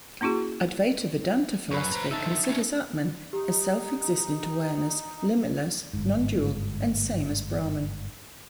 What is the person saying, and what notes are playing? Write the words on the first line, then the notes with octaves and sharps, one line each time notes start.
Advaita Vedanta philosophy considers Atman as self-existent awareness, limitless, non-dual and same as Brahman.
A#3 C#4 E4 F#4 G#4
F#2 B4 C#5
C5 A#5
D3 D#4 E5 A5
C#4 D#4
D#4 G4
G1 G#2